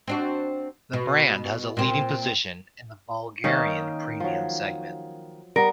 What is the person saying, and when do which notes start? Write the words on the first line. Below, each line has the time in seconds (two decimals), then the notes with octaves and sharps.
The brand has a leading position in the Bulgarian premium segment.
0.08 C4 D4 F#4
0.93 B2
1.77 A#2 C4
3.44 D#3 A#3 C#4 D#4
4.20 F3 F#3
5.56 G3 B3 A#4